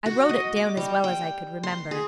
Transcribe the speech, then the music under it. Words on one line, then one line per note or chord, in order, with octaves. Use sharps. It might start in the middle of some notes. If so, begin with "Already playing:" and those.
I wrote it down as well as I could remember.
F#4
D#5
D6
G3
G5
C6
G#4